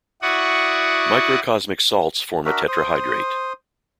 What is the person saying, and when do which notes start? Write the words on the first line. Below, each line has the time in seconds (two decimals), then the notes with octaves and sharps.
Microcosmic salts form a tetrahydrate.
0.22 E4 F#4 D5 F#5 C#6 D#6
2.45 D4 F#4 A#4 E5
2.68 C5 D#6